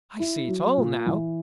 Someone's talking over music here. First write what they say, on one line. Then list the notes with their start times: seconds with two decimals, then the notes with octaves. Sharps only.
I see it all now.
0.19 E4
0.48 F#3
0.77 A#2
1.06 E3